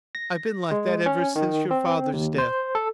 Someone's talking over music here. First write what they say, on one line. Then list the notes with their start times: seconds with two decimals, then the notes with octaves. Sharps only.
I've been like that ever since your father's death.
0.15 A#6
0.71 G#3
1.06 C#4
1.35 D#3
1.71 C4
2.13 D#2
2.38 C5
2.75 A4